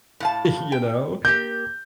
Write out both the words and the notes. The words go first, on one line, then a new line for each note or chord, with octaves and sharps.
you know?
A2 F5 A5
G5
A#3 G4 G6